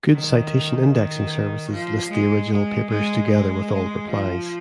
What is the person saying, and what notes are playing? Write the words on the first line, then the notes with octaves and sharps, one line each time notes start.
Good citation indexing services list the original papers together with all replies.
D#3
D#3
F3
G#3
G#3
G#3
G#3
F3